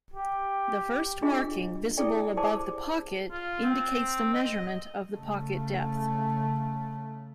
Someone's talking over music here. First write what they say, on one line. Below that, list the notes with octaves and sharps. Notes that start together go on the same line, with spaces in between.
The first marking visible above the pocket indicates the measurement of the pocket depth.
G4
D4 F4 G4 G#4 D#5
E4 G#4 A4 D5 G5
G4 G#4 C5 D5 A5 D6
F4
C4
D#5
C#3 A3